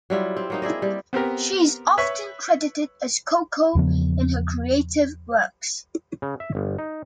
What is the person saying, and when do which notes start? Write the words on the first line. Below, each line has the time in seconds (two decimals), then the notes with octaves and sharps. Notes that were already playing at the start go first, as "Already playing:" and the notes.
She is often credited as Coco in her creative works.
0.10 F#3 G3 E4 F4
0.37 C4
0.50 F#3 A#3 D#4
0.62 E4 G#4 D5 D#5
0.82 G3
1.13 B3 C4 G4 A#4
1.98 B4 C#5 E5 C#6
3.75 E2 C#3 F3 B3
6.22 C#3
6.40 E5
6.55 G1
6.78 D#4